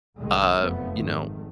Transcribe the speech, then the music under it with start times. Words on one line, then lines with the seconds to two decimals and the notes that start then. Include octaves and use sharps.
uh, you know,
0.18 C2 A2 D#3 G#3
0.60 F1 F#2 F3 A3 B3
0.94 G#1 D#3 A3